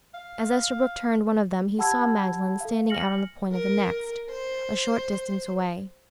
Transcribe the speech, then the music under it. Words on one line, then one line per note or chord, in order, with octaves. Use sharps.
As Esterbrook turned one of them he saw Magdalen standing out on the point of the next, a short distance away.
F5
G4 F#5 A5 B5 E6 G#6
A4 F5
G#5 F6 A#6 C#7 F#7
A#4
C5